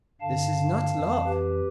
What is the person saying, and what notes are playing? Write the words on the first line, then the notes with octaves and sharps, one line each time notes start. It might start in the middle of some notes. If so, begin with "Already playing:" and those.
This is not love.
G2 D3 F5 A5
F2 E3
G4 B4